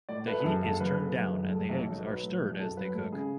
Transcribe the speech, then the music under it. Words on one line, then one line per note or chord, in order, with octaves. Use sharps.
The heat is turned down and the eggs are stirred as they cook.
A2 D5
A3 B4
G#4
F#2 A4
F#1 A4
F#1 B4
D3 B4
F#2
F#1
A2 A4
B1
B1
A4
F#3 B4
A2
B1
G#4
F#2 A4
F#3 B4
G#1 A4
C#3 G#4